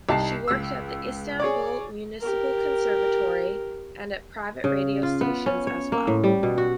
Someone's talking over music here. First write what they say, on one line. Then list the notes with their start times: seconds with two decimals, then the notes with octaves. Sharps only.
She worked at the Istanbul Municipal Conservatory and at private radio stations as well.
0.09 C2 D#4 A5 C7
0.48 C#2 E6
1.40 G#4 C#5 D5
2.21 G4 A#4
4.64 C#3
5.03 F4
5.21 B3
5.46 C#4
5.67 C#5
5.92 A#3
6.07 A2
6.24 G3
6.43 B2
6.58 F#4